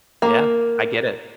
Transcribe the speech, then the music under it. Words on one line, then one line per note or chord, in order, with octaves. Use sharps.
Yeah, I get it.
A#3